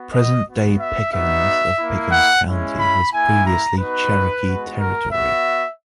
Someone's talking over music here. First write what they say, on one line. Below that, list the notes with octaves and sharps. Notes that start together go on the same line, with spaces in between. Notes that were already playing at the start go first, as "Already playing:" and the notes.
Present-day Pickens of Pickens County was previously Cherokee Territory.
Already playing: B3 F#4
D#5
B3 F#4
E5
B3 D#4 F#4 E5
A#3 E4
F#5
G#3 C#4 E4
B5
A#3 E4 G#5
A#5
B3 D#4 F#4 B4
G#3 B3 F#4
A#4
B3 F#4 E5